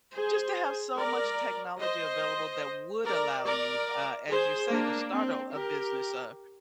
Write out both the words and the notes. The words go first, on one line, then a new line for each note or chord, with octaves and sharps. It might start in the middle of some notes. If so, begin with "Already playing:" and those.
just to have so much technology available that would allow you, uh, as you say, to start a a business, uh,
G#4 C5
A#4 D5
C5 D#5
A#4 D5
A#4 D5
G#4 C5
A#3 D4
C4
G4 A#4